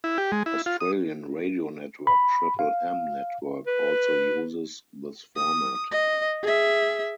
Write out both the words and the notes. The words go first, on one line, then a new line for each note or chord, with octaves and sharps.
Australian radio network Triple M Network also uses this format.
E4
G4
G#3
E4
F4
D#6
B5
F5
B4
D#6
D#5
G#4 E5